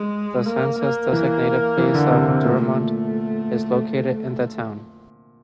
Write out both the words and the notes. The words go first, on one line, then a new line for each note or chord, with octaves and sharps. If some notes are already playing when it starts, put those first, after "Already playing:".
The census-designated place of Drummond is located in the town.
Already playing: G#3
A#3
A#3
E3
E3
D3
C3
C3
A#2 A3